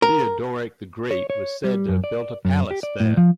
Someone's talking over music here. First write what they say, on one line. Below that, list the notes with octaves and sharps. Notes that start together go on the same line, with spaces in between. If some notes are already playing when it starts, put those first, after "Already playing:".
Theoderic the Great was said to have built a palace there.
A#4
C#5
C#5
G3
F#2
D5
F#2
G4
D5
A2
F3